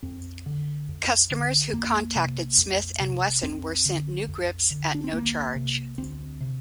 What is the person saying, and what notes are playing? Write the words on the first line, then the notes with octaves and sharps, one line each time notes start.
Customers who contacted Smith and Wesson were sent new grips at no charge.
F2 C4
D3
F2
D3
F2 A#3
C3
F2
C3
F2 C4
D3
F2
D3
D4
C4
D2 A#3
C3
D2 C4
C3